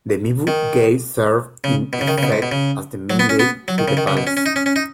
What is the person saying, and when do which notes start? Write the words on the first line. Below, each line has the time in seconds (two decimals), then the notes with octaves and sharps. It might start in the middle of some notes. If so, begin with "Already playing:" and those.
The Mibu Gate served in effect as the main gate to the palace.
0.47 D#3
1.64 C#3
1.93 B2
2.01 C#3
2.08 D#3
2.18 C#3
2.23 B2
2.32 G#2
2.42 B2
2.52 C#3
3.10 F#3
3.19 B3
3.29 C#4
3.39 B3
3.68 F#3
3.78 D#3
3.88 C#3
3.97 D#3
4.07 C#3
4.17 B2
4.27 C#4
4.37 C#4
4.46 D#4
4.56 C#4
4.66 C#4
4.76 D#4